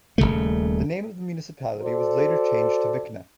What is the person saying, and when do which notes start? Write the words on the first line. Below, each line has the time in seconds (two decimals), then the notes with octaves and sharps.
The name of the municipality was later changed to Vikna.
0.18 D#1 E2 C#3 A3
1.80 F#4 A4 C5 D5